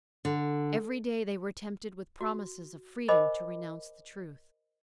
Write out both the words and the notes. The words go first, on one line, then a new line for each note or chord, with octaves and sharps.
Every day they were tempted with promises of freedom to renounce the Truth.
D3
F#4
A#4 C5 D#5 G#5 B5 D6